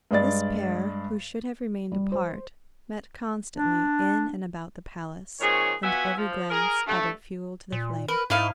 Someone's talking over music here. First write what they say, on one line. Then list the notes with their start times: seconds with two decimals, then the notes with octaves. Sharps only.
This pair, who should have remained apart, met constantly in and about the palace, and every glance added fuel to the flame.
0.11 G2 G#3 D5 A6
1.92 G3
2.12 C5
3.56 D4
5.40 A#2 D#3 C4 G#4 C#5
5.83 B3 F4 F#4 E5 F#5 G#5
6.17 F3
6.50 G#4 A#4
6.86 G2 A3
7.72 A#2
8.08 A#4 B4
8.30 G#2 E4 D#5 F5